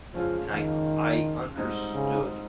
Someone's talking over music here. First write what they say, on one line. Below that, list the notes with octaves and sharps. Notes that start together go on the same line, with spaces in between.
and I c I understood
F2 C#3 F3 G#3 C#4 F4
D#3
G#2 G3 C4 D#4
C#3